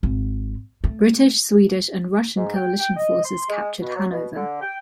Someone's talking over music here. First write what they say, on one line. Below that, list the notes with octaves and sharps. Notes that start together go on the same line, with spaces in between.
British, Swedish and Russian coalition forces captured Hanover.
G#1
A3
G#2
G5
G5
D#5
C6
G#3
B2
F#3
B2
D3
G5